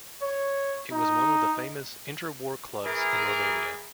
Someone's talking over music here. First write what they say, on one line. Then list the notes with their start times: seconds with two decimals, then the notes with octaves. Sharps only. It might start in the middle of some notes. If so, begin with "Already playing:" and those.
It was one of the famous inter-war clubs in Romania.
0.22 C#5
0.92 D#4
2.85 E3 G#4 A#4